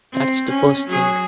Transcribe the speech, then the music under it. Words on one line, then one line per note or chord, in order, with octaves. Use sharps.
That's the first thing.
C4
C#4
F#3 G#4